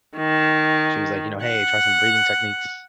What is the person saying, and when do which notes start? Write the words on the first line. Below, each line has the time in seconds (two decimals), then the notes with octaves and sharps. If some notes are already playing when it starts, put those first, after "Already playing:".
she was, like, you know, "Hey, try some breathing techniques"
0.18 D#3
1.45 F#5